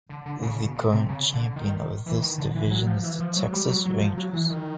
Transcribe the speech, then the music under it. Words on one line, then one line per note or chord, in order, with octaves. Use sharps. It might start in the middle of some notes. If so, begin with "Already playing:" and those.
The current champion of this division is the Texas Rangers.
D3
D3
C#3
B2
A#2
C3
C#3
D3
D#3
E3
D#3
D3
E3
F#3
F3
E3
F3
F#3
G3
F#3
F#3
F3
F#3
E3
D#3